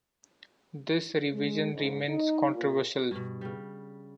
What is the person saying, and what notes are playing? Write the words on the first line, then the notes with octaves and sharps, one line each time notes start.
This revision remains controversial.
G#3
G#2
D#4
A#2
G2 B2
C#3 G3